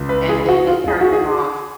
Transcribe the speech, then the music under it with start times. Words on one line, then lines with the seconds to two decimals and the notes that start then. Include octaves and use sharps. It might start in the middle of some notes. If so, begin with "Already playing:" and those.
and then it turned them off.
Already playing: C#2 C#3
0.09 B4
0.29 G#4
0.49 F#4
0.67 F4
0.88 G#4
1.01 F#4
1.13 G#4